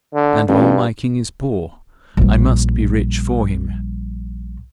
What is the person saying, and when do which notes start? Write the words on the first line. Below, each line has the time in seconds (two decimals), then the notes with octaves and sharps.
And while my king is poor, I must be rich for him.
0.15 D3
0.49 A1 G2
2.17 A#1 G3